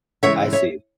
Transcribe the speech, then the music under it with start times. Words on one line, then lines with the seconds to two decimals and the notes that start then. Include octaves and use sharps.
I see.
0.23 C#3 E3 G#3 C#5 E5
0.53 C#5 E5